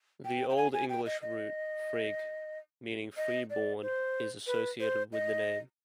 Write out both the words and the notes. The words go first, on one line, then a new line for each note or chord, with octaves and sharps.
The Old English root "frig", meaning "free born", is associated with the name.
G5
G5
G#5
G#5
G5
D#5
D#5
D#5
D5
C5
B4
C5
D#5